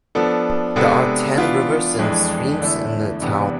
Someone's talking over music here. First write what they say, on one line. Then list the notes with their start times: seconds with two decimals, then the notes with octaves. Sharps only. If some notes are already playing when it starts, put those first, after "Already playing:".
There are ten rivers and streams in the town.
0.15 F3 B3 D4 A4
0.76 C3 G#3 B3 D4 A4
1.38 E3 B3 D4 F4
1.99 F2 E3 G#3 D4
2.60 E2 D3 A3 E4 A4
3.21 E2 C3 E3 B3 D4